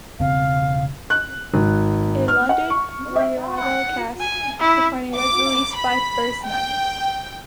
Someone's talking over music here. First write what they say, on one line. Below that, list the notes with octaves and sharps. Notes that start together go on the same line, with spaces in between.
A London revival cast recording was released by First Night.
E1 C#3 C4 F5
F#6
G#1
F6
F#5
C#6
E5
F#5
G#5
E4
D6
B5
G5